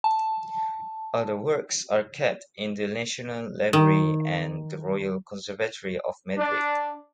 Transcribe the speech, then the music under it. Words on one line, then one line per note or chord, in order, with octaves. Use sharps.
Other works are kept in the National Library and the Royal Conservatory of Madrid.
A5
D#3
D4